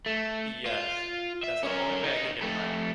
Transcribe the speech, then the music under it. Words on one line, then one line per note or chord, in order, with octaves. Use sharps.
Yes, that's the only way I can get 'em right.
A3
F4
E5
C#4 A#4
D#4 G4
F2 A3